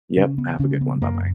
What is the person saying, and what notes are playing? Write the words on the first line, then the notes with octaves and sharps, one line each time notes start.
Yep. Have a good one. Bye-bye.
C#3 C#4
B3
C#3 C#4
B3
F#2 A#3